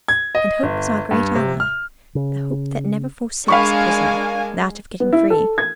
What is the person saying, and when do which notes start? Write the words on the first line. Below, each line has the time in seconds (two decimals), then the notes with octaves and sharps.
And hope was our great ally--the hope that never forsakes a prisoner--that of getting free.
0.08 G#6
0.35 D#5
0.63 G1
1.11 G2
1.35 C3
1.60 F6
2.15 C#3
3.48 G#3 D4 A#4 F5 G#5 B5 C#6
5.00 B3
5.13 E4
5.30 A4
5.58 G#6